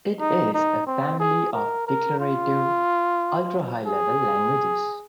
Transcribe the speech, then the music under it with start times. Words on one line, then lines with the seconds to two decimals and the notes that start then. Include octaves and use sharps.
It is a family of declarative "ultra high-level" languages.
0.20 D#4
0.54 D#4
0.87 C4
1.20 G#4
1.53 A#4
1.87 A#4
2.20 F4
3.86 G#4